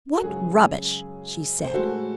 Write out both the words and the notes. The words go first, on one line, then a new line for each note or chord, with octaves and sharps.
"What rubbish!" she said.
F#4
F#2 C#3 G#3 G#4
C5
A2 G#3 F#4 A4